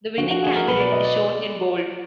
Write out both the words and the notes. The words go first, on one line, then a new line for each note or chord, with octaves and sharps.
The winning candidate is shown in bold.
D3 F3 F#4
F#4
G#4
A#4
B2 F#3 B4
D5
D#5
D5